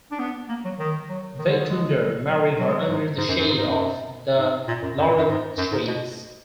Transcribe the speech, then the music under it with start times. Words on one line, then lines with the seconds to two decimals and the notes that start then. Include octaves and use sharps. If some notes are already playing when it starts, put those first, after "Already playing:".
Vaikundar married her under the shade of the laurel trees.
0.11 D4
0.19 B3
0.49 A#3
0.65 F#3
0.79 D#3
1.09 F#3
1.39 D#3
1.49 D3
1.59 D#3
1.69 G#3
2.28 F#3
2.59 F#3
2.68 G#3
2.79 F#3
2.88 G#2
3.18 G#2
3.28 F#2
3.39 F#2
3.48 G#2
3.58 G#2
3.67 F#2
4.38 G#2
4.68 A#2
4.82 F#2
4.98 F#2
5.07 A#2
5.18 F#2
5.27 G#2
5.58 F#2
5.72 G#2
5.87 B2